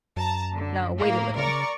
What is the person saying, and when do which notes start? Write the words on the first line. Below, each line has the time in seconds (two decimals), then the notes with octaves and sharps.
No, wait a little.
0.16 F#2 A5 A#5
0.55 D3
0.96 A2 A#3
1.37 C#3 A#4 D5 C#6